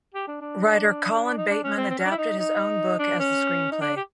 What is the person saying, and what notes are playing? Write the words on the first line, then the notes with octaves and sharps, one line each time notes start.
Writer Colin Bateman adapted his own book as the screenplay.
G4
D4
D4
D#4
D4
C#4
C4
C4
C#4
D4
E4
D#4
D#4
D4
C#4
D#4
D4
G4